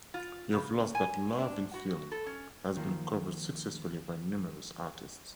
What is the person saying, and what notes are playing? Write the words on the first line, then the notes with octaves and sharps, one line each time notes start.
"You've Lost That Lovin' Feelin'" has been covered successfully by numerous artists.
F4
C#3
G#5
D4
F#4
A4
C#4
D#3 F3 A#3